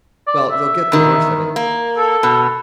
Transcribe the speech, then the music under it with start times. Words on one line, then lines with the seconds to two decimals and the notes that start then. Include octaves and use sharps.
Well--you'll get the worst of it.
0.28 D5
0.51 E5
0.92 E2 D#3
1.56 A#3
1.97 A4
2.23 B2